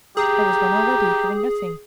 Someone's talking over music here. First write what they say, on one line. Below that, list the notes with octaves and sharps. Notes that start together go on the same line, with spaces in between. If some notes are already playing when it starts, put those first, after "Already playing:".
I was one already, having nothing.
G4 G#4 A#5